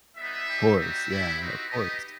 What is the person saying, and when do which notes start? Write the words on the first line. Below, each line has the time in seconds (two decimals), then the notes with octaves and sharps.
Of course. Yeah. Of course.
0.16 G3 B3 D#4 E5
0.47 G3 D#4 G4
0.77 G3 C4 D#4 F#4 E5
1.08 A3 E4 G4
1.38 C4 D#4 F#4
1.69 B3 D#4 G4 D#5